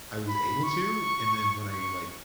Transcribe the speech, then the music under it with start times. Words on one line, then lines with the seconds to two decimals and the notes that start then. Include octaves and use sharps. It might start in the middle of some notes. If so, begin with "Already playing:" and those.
I was able to, and then when I, like,
0.29 B5
0.63 C#6
1.70 C#6